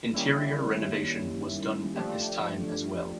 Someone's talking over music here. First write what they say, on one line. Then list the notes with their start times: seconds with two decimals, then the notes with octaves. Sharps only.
Interior renovation was done at this time as well.
0.13 D#3 G3 A#3 C#4 E4
1.95 F3 A3 D4 G4